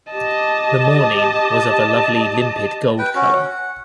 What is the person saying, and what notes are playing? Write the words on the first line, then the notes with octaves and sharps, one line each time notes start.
The morning was of a lovely limpid gold colour.
G4 D#5 A5
B4 G5
C#4 F#4
F#5